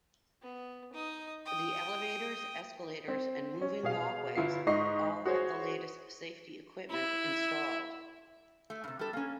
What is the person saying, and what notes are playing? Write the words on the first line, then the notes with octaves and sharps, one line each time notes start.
The elevators, escalators and moving walkways all have the latest safety equipment installed.
B3
D#4 D#6
G5 D#6
C4
C#4
B2 G#4 F5
G1 E4 F4 C7
G#2 D#5 C#6 C7
F#4 G#4 C5 C#5
E4
A3
G2 C3
G3 A4
A#3 C#4